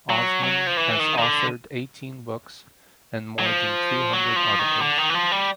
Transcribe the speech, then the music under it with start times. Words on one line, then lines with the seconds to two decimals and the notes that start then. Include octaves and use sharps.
Osman has authored eighteen books and more than three hundred articles.
0.10 F#3
0.43 F#3
0.67 F3
0.77 E3
1.00 D#3
1.18 D#3
1.22 D3
3.39 F#3
3.46 F3
4.13 F#3
4.36 F3
4.59 D#3
4.81 D3
4.98 D#3
5.10 E3
5.14 F3
5.32 G3